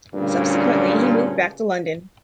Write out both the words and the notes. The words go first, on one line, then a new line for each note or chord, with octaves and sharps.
Subsequently, he moved back to London.
D2 G2 A#2 C#3